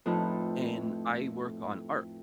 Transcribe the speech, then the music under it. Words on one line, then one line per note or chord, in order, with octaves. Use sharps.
And I work on art.
F2 A2 D#4 A4 B4